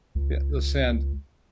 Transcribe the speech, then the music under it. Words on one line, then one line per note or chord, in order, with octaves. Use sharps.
Yeah, the sand
C#2